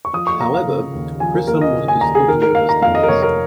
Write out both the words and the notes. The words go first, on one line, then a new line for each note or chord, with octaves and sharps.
However, Chisholm wanted to continue her studies.
C#6
F3 D#6
C#6
A#3 A#5
F5
C#3
D#2
F3 G#5
A#4
A#3 A#4
D#5
C#3
G#5
D#2 A#5
G#4
D#3 A#4
A#4
A#3 F5
A#5
F2 F5
D#5
A#4
F1 C#5
A#4